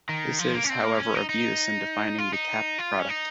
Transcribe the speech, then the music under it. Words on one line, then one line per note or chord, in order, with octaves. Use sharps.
This is however of use in defining the cap product.
D#3
F3
A#3
C#4
C4
A#3
C#4
D#4
D#4
F4
D#4
F4
C#4
D#4